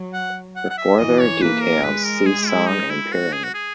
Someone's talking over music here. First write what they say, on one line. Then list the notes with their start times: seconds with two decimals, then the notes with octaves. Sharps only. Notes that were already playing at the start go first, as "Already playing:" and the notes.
For further details see Song and Perrig.
Already playing: F#3
0.14 F#5
0.56 F#5
0.70 F#5
0.78 E5
0.99 E3 D#5
1.20 C#5
1.41 A#3 B4
1.62 A#4
1.83 G#3 B4
2.05 A#4
2.26 G#4
2.48 E4
2.68 D#4
2.90 E4
3.12 F#4
3.33 G#4
3.44 F#4
3.54 G#4